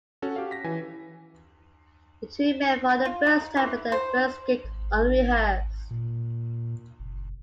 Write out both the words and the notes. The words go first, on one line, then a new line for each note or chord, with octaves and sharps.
The two met for the first time at their first gig, unrehearsed.
C#4 F#4 A4
F#4 G4 F5
A#6 B6
E3 G#5
F4
D#4
E3
C5
G#1
A#2
F#1